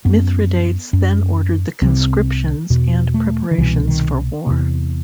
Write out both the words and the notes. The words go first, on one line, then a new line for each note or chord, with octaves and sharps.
Mithridates then ordered the conscriptions and preparations for war.
F#2 B3
F#2
C2 C3 C4
E2 B2
A3
D#3
C2 B2 E3
D#3
E2 C3